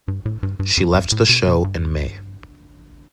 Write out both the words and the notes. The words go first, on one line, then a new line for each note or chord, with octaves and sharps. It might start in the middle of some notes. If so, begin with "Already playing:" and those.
She left the show in May.
G2
A2
G2
G2
F2
F2
A2
B2
B2
G2